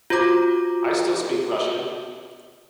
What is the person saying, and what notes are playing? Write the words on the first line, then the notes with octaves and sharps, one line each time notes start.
I still speak Russian.
F4 F#4 C5 A#5 D6